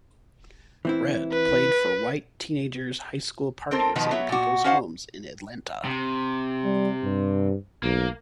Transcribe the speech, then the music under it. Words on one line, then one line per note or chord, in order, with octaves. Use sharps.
Red played for white teenagers' high school parties in people's homes in Atlanta.
E3 C4 E4
B4
C4 A4 A#4 C5
B2 D#3 F3 B4
F#3 B3 C#5 E5
A#2 F#4
C#4 F#4 C5 F5 F#5
C3
G3
G2
B1 A#3